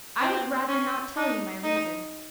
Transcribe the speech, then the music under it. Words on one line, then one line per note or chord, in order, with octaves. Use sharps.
"I would rather not tell you my reasons."
C4
C#4
D#4
D#4